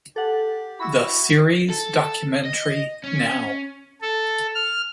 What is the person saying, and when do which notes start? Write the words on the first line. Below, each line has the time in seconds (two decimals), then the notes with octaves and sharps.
The series Documentary Now!
0.16 G4 A4 F#5
0.80 E4 F#4 B5 E6
1.70 A4
2.45 D#5
3.04 C#4
4.02 A4
4.55 F6